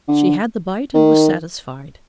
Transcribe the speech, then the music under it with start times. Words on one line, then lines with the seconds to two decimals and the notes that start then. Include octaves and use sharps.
She had the bite and was satisfied.
0.08 D3
0.94 D#3